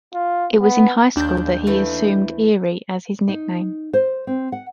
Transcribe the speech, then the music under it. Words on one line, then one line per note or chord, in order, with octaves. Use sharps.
It was in high school that he assumed "Eerie" as his nickname.
F4
B3
D#2 D4 G6
E3 A3
D#4
C5
C4
F#5